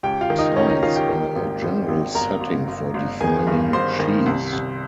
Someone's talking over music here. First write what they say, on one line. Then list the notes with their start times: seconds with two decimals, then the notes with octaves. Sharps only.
Sites are a general setting for defining sheaves.
0.03 C#2 G4 G5
0.21 F4 F5
0.30 D#3
0.38 D#4 D#5
0.56 C#2 C#4 C#5
0.70 D#4 D#5
0.83 D#3 F4 F5
0.96 G4 G5
1.09 D#3
1.35 G#1
1.62 G#1
1.88 G#1
2.15 G1 A#4 A#5
2.41 G1
2.68 G1
2.94 G1
3.20 D#3 G#4 G#5
3.47 G2
3.73 G1 C5 C6
4.00 D#3
4.26 C2
4.53 C2